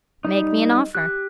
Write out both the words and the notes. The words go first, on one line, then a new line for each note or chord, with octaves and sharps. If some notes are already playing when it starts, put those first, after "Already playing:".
"Make me an offer."
G3 D#4
G4 F#6